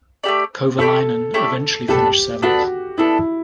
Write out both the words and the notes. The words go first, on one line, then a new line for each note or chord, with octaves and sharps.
Kovalainen eventually finished seventh.
A3 E4 G4 D5
A3 E4 G4 A4 D5
A3 E4 G4 D5
B3 D4 G4 A4
B3 D4 F#4 A4
B3 D4 E4 A4